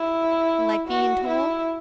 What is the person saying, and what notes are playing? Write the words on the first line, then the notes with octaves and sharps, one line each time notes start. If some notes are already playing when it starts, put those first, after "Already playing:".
"Like being told?"
Already playing: E4
F#4
E4